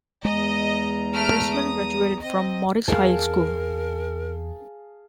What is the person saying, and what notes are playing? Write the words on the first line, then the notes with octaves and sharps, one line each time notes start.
Pressman graduated from Morris High School.
E2 G#3 D#5 A#5
A3 F6 D7
D#6
C4 D#5
E2 C4 G#4 A#4 F5 A5